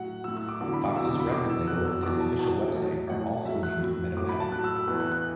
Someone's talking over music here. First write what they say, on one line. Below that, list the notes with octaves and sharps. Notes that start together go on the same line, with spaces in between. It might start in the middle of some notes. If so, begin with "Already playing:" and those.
Foxx's record label and his official website are also named Metamatic.
Already playing: A2 F#3 F#5
A2 F#3 E6
E6
D6
E2 D3 F#3 D6
B5
D6
E2 D3 F#3 E6
D6
B5
E2 B2 F#3 D6
E6
E2 B2 F#3 F#6
E6
E2 B2 F#3 D6
A5
E2 B2 F#3
A2 F#3
A2 F#3 F#5
A2 F#3 E5
F#6
A2 F#3
A2 F#3 D6
B5
A5
A2 F#3 F#6
E6
E6
E2 E3 F#6
F#6
F#6